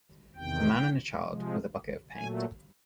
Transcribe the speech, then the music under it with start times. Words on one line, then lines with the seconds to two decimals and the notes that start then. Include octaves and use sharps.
A man and a child with a bucket of paint.
0.36 E2 C3 D#3 G5
1.25 C3 F3 G#3
2.14 A#2 F#3 A3 G#5